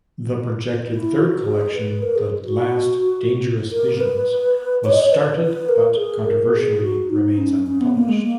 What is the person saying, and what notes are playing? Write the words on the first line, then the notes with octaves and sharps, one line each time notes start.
The projected third collection, "The Last Dangerous Visions", was started, but controversially remains unpublished.
E4
F#4
G#4
B4
A#4
G#4
F#4
A#4
B4
C#5
D#5
C#5
B4
B4
A#4
G#4
A#4
G#4
F#4
D#4
C#4
C#4
B3
A#3
G#3
A#3